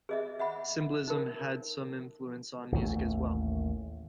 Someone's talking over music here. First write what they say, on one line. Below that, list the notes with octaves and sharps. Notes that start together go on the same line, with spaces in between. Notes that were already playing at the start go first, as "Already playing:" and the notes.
Symbolism had some influence on music as well.
G#4 D#5 E5
E5 F#5 B5
D#4 A#4
A1 D#2 D#3 A3